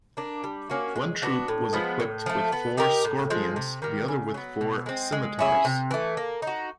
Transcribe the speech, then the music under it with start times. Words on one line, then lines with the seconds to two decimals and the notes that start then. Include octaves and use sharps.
One troop was equipped with four Scorpions, the other with four Scimitars.
0.17 A#3 D4
0.44 G3
0.70 A#3 C#4 F#4
0.96 G#3
1.22 B3 D4 F#4
1.48 A2
1.73 F3 G#3 B3
2.00 A2
2.26 F3 A3
2.52 B3
2.77 D#4 G4 A#4
3.04 A2
3.30 F3 G#3
3.56 C3
3.82 D#3 G3 A#3
4.08 C#3
4.34 F#3 B3
4.61 B2
4.86 G#3 C4
5.12 G#3
5.39 C#4 E4 G#4
5.65 C3
5.91 E3 A3
6.17 A#3
6.42 D#4 F#4